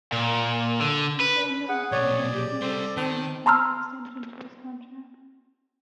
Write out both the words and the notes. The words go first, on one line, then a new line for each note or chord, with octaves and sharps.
At the end of October, Pulis signed a one-year extension to his contract.
A#2
D3
B4
G#4 F#5
B1 A#2 C#5 D5
G4
G3 C4 A4 C5
D#3 C4 A5
A5 A#5 C6 E6 F6